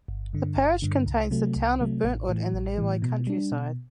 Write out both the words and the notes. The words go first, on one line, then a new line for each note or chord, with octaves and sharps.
The parish contains the town of Burntwood and the nearby countryside.
G1
G2 D3
G1
G2 D3
C2
C3 F#3 A3
C2
C3 F#3 A3
A1
A2 E3
A1
A2 E3
B2
G3 D4
B2